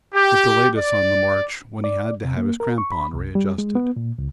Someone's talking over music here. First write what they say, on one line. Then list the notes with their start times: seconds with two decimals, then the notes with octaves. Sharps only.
It delayed us on the march, when he had to have his crampon readjusted.
0.13 G4
0.77 D5
1.84 D5
2.24 C3
2.37 A#3
2.60 A#4
2.78 C#6
2.92 B5
3.13 C2
3.35 G3
3.58 G#3
3.75 B3
3.96 A#2
4.18 C#2